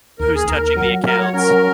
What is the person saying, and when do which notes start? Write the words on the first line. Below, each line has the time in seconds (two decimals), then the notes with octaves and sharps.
Who's touching the accounts?
0.19 D#2 A#4
0.34 G#4
0.48 D#2 A#4
0.62 A#4
0.76 F#3 A#4
1.06 F#3 A#4
1.19 C#5
1.33 C#4 A#4